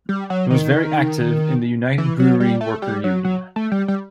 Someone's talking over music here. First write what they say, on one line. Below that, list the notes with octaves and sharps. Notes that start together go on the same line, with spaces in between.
He was very active in the United Brewery Worker Union.
G3
F#3
D#3
E3
F#3
G3
A3
G3
F#3
F#3
A3
G3
G3